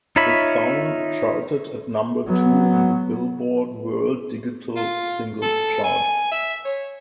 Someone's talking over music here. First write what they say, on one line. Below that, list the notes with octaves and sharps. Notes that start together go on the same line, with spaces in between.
The song charted at number two on the "Billboard" World Digital Singles chart.
D#4 F4 C#5 E5 B5
F#3 B3
F4
A4
G#5
E5
C#5